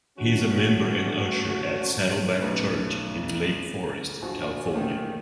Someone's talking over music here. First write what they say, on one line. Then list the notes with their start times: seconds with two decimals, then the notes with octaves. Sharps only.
He is a member and usher at Saddleback Church in Lake Forest, California.
0.18 D#3 G3 A3 C#4 D4 F#4
2.42 B1 A3 C#4 B4 C#5
4.22 A#1 F3 F#4
4.73 D#3 A3 A#3